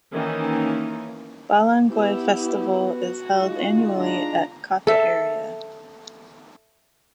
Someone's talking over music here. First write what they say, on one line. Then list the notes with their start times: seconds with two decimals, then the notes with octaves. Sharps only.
Balanghoy Festival is held annually at Cotta area.
0.13 D#3 E3 A#3 C#4 D#4
1.91 B3 E4 G4
2.88 F#4
3.41 G#3 D#4 F4
3.98 D4 A#5
4.87 A4 E5